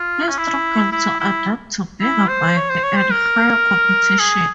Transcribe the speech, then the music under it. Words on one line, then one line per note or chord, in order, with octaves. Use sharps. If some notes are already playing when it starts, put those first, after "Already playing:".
He struggled to adapt to bigger bike and higher competition.
Already playing: F4
C#4
E4
E4
E4
E4
C5
C#5
C5
C#5
C5
A#4
G#4